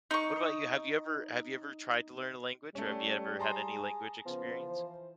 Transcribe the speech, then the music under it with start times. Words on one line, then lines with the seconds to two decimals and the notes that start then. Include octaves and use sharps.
What about you? Have you ever have you ever tried to learn a language or have you ever had any language experience?
0.11 D#4 C#6
2.75 G3 A3 C#4
3.39 G#4 A5 A#5 C6
4.26 C#3 F3 B3
4.64 E3 C5